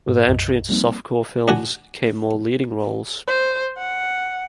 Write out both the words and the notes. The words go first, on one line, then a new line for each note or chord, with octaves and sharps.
With her entry into softcore films came more leading roles.
G#2
B1 F#2 A2 D#5
F3 G3 A#3 C4 D#4
D4 F#4 G#5
C5
F#5